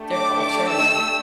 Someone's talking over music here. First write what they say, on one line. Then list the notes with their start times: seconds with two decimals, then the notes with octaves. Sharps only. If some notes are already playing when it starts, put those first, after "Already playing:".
their culture, like
Already playing: A3 D4 G4
0.14 D6
0.42 D6
0.70 E6